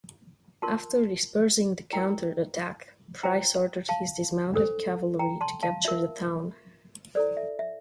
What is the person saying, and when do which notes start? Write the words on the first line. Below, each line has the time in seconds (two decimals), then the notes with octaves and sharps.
After dispersing the counterattack, Price ordered his dismounted cavalry to capture the town.
0.62 F4 A#4 A5 C6
1.93 E4 A#4 G5 A#5
3.23 F4 C5 G5 A#5
3.89 F5 A5
4.54 D4 A4 C5
5.19 G5 A#5
5.41 A5 C6
5.63 F5 A5
5.85 F4 A#4 E5
7.15 E4 A4 C5 D5
7.37 E5
7.59 E5